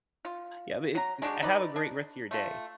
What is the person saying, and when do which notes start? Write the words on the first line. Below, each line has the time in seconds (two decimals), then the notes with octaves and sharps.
Yeah, but it g have a great rest of your day.
0.25 F4
0.95 F#3 A#5
1.22 G#3 D4 F#4 G4
1.42 D#4 B4 D5
1.76 D4
2.31 A3 F4 A4